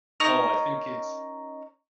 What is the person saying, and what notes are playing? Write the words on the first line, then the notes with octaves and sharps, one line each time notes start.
Oh, I think it's
C#4 D#4 A#4 D#5